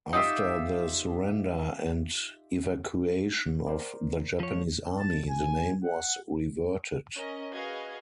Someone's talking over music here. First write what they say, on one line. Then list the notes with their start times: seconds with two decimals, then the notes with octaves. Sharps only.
After the surrender and evacuation of the Japanese army, the name was reverted.
0.13 D#4 F4 G4 E5
3.67 A#4 C5 D5
4.40 F3 C#5
4.98 A5
5.29 G#5
5.84 F#5
7.15 C#4 A#4 D#5
7.52 F#4 G#4 B4 D#5 F5 G#6